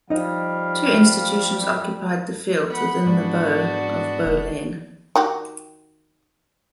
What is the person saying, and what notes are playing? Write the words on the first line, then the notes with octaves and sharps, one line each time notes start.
Two institutions occupied the fields within the bow of Bow Lane.
F3 G3 D#4 D#5 F5
B3 F#5 B5
G#2 D4 F#4 D5
F1
D#3 F#4 G4